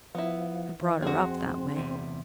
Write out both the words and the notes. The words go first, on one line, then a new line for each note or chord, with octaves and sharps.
I brought her up that way.
F3 B3 E4
E3
F2 C4 F#4 G#4
E2 C3